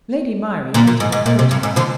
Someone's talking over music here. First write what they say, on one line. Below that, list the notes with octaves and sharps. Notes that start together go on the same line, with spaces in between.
Lady Myrie entered a protest.
A#2 D3
A#2
G#2
G#2
A#2
C3
G2
G#2
D3 F3